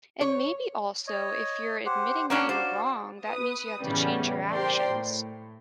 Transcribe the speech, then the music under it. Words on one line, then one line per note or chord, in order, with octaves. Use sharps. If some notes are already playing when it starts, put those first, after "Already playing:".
and maybe also if you're admitting that you're wrong, that means you have to change your actions,
C#5
C#5 D#5
G4 C5 F#5
A#3 C#4 D4 F#5
F#4 C5 D5 F5
B4 D#6
A2 C#3 E3 G3 B3 C#4
G4 A#4 C5 D5 G5 C6
A2